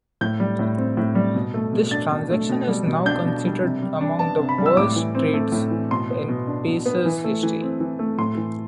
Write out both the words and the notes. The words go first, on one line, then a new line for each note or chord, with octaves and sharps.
This transaction is now considered among the worst trades in Pacers' history.
A2 G6
G3
A2
C4
A2
G3
B2
A3
B2
D4 A6
B2
A3
B2
G3
B2
D4 G6
B2
G3
C3
G3
D4
B3 A5
C3
B5
G3
E6
A2 D6
E3
C4
A3
A2
E3
B2 C6
B3
B2
D4
B2
B3
E3
A3
E3
C4
E3
A3
A2 C6
E3